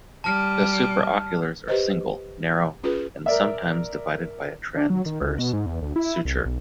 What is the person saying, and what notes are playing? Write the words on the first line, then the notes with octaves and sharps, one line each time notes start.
The supraoculars are single, narrow, and sometimes divided by a transverse suture.
G3 A5 F6
G4 B4 C5 D#5
C#4 F4 G#4 B4
A#4 D5 E5
D4
F#3
D#3
C#2
B2
G#2
E2
D2
E4
C2
B1